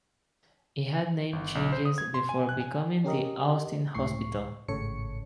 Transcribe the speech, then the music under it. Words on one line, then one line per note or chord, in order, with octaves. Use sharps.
It had name changes before becoming the Austin Hospital.
G1
B1
C5
D#6
G#6
C6
G#5
F#6
G#5
C#4 G4 A#4 D#5
C#2 A2 C#6 C7
G#1 A2 C#3 A4 C#5 C#7